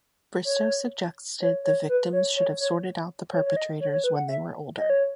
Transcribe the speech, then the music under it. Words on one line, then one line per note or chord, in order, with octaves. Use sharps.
Bristow suggested the victims should have sorted out the perpetrators when they were older.
C#5
C#5
C#5
B4
C#5
C#5
C#5
C#5
C#5
D#5
C#5
C#5
B4
F#5
E5
D#5
C#5